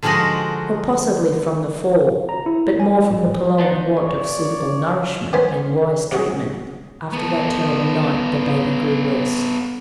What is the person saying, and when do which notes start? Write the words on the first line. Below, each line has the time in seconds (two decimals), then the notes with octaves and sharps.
For, possibly from the fall, but more from the prolonged want of suitable nourishment and wise treatment, after that terrible night, the baby grew worse.
0.03 D3 F3 G#3 D#4 F#4 A#4
2.29 A#5
2.46 E4
2.80 G#5
3.10 A1
3.58 B3 D4 D#4
3.97 G1 C#5 D5
5.33 D#3 B3 C#4 C5 G#5 B5
6.12 C3 F#4 G#4
7.13 B3 A4